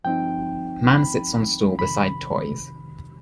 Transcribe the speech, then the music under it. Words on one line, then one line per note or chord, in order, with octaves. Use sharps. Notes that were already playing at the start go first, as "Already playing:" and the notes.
Man sits on stool beside toys.
G2 F3 C4 D#4 G5
B5
F2 C3 D#3 B5